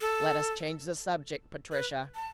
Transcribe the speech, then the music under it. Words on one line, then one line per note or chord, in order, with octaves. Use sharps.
"Let us change the subject, Patricia."
A4
B4
A5